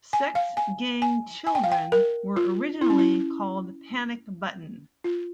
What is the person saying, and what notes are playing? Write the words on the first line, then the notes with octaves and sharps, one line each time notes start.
Sex Gang Children were originally called Panic Button.
G#5
F5
G#5
G#5
G#5
G5
F5
G5
A#4
F4
E4
C#4
E4
F4